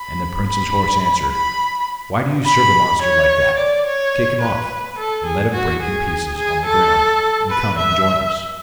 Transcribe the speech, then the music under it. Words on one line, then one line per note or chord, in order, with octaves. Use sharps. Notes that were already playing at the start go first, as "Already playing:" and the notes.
And the prince's horse answered, 'Why do you serve a monster like that? Kick him off, and let him break in pieces on the ground, and come and join us.'
Already playing: B5
B5
B5
B5
C#5
D5
C#5
B4
A4
G#4
F#4
G#4
G#4
A4
B4
E5